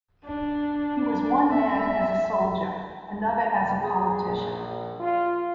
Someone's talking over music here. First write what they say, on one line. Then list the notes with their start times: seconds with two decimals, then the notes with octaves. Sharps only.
He was one man as a soldier, another as a politician.
0.25 D4
1.50 E5
3.82 G#4
4.23 A#1
5.00 F4